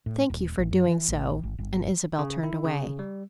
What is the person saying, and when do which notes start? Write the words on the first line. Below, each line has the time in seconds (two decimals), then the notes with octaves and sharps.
"Thank you for doing so." And Isabel turned away.
0.06 A2
0.30 D#1
0.58 A1
0.71 F#2
0.87 E3
1.08 A1
1.43 G#1
1.59 G1
2.18 C#3
2.43 E4
2.65 C#3
2.99 G3